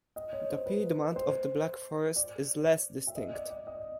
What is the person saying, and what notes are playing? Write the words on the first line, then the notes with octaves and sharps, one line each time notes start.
The piedmont of the Black Forest is less distinct.
D#5
C#5
C5
B4
C5
D5
E5
D#5
D5
D5
D#5